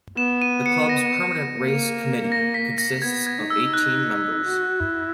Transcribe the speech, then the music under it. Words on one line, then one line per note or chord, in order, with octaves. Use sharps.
The club's Permanent Race Committee consists of eighteen members.
B3 E7
D#7
C#7
A#6
A#3
A#6
B6
A#6
B3 G#6
G#6
D#4
E6
F#6
F#4
E4